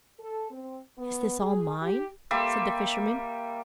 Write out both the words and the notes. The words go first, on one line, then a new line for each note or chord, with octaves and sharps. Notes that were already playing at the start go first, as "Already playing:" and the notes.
"Is this all mine?" said the fisherman.
A4
C4
B3
G#4
G4
G3 A#3 E5 C6